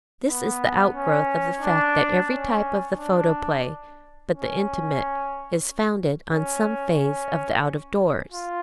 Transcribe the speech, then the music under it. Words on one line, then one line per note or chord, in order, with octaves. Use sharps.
This is the outgrowth of the fact that every type of the photoplay but the intimate is founded on some phase of the out-of-doors.
B3
C#4
D4
C#4
D4
C#4
C#4
C#4
F4